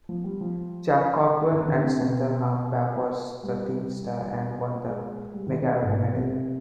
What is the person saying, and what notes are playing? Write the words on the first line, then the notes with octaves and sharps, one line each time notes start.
Jack Cockburn at centre half-back was the team's star and won the Magarey Medal.
F3
G3
F3
D#3
D3
C3
B2
G3
G#3
G3
D#3
B2
G#2
B2
C3